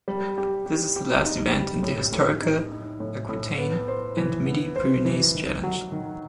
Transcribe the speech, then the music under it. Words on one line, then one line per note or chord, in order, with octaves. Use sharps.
This is the last event in the historical Aquitaine and Midi-Pyrénées Challenge.
G3
G4
G4
G4
D#4
G3
A2
A2
D#4
D#4
A2
A2
B3
C5
E3
B3
C5
E3
D#3
F#3
D#3